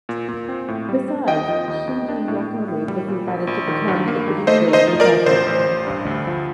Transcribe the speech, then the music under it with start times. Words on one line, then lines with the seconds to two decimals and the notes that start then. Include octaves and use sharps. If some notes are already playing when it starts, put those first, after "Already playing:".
Besides, Shinji Mikami was invited to become the producer of the project.
0.09 A#2
0.28 A#2
0.49 C4
0.68 A2
0.89 G3
1.08 C4
1.28 D#2 D#5 G5
1.48 F3
1.68 D#2
1.87 D#2
2.09 D4
2.28 A2
2.48 A2
2.68 A2
2.88 G3
3.08 A#2
3.28 A#1
3.47 A#1
3.67 D#3
3.88 G2
4.08 A#3
4.28 D#3
4.47 A3 C5 D#5
4.68 D#4
4.73 C5 D#5
4.87 F3
5.00 A#4 D5
5.08 F3
5.26 A1 C5
5.46 A1
5.67 A1
5.87 G2
6.06 D2
6.27 F3